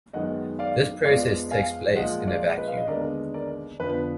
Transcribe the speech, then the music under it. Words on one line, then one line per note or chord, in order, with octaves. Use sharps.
This process takes place in a vacuum.
F#2 D#3 G#3 B3 D#5 F#5
D5 F5
F2 F3 G#3 B3 D5 F5
F5 G#5
A#2 F3 G#3 D#5 F#5
D5 F5
B4 D#5
F5
D#5
D#2 D3 G#3 B3 A#4 D5
A#4 D5
F2 D3 F3 B3 B4